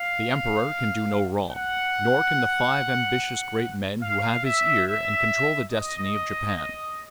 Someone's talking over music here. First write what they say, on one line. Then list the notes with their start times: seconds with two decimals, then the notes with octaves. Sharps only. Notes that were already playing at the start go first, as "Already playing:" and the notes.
The Emperor can do no wrong, nor can the five ambitious great men who have his ear and control the destiny of Japan.
Already playing: F5
1.50 F#5
4.02 F5
4.45 E5
4.87 E5
5.71 D#5